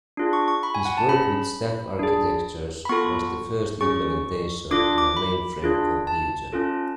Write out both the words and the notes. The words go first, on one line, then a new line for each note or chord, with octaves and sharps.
His work with stack architectures was the first implementation in a mainframe computer.
D4 F4 G#4
C#6
C#6
B5
G#5
F#5
A5
C#4 G#4 B5
D4 G#4
B5
B3 F4 A4 C#6
C#4 G#4 C#6
D4 F4 A4 D6
D6
B5
D4 F4 G#4
A5
C#4 F4 A4